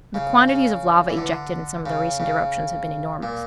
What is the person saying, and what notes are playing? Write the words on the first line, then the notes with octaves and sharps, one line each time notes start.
The quantities of lava ejected in some of the recent eruptions have been enormous.
C#3
C#3
E3
D3
C#3
C#3
A#2